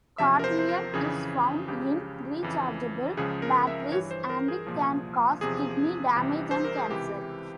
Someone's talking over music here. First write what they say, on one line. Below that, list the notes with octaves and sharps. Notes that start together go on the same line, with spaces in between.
Cadmium is found in rechargeable batteries and can cause kidney damage and cancer.
E2 C3 F3 E5
A#4
C5
C5
A#4
F2 C#3 E3 G#4
C#2 C#3 F3 G4
F2 C#3 E3
C#2 C#3 F3 G#4
A#4
E5
G2 E3 C#5
C5
A#4
G#4
C2 A#2 F3
E2 C3 F3 G#4
C2 C3 E3
C5
A#4
G#4
C#2 C3 E3 G4